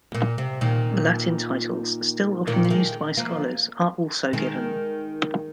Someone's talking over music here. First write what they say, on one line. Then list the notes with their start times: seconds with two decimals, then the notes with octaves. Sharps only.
Latin titles, still often used by scholars, are also given.
0.15 A#2
0.38 C3
0.61 A#2 D#3
2.47 A#2 D#3
2.65 F3
2.70 D#3 G#3
3.17 F3 A#3
4.33 D#3 G#3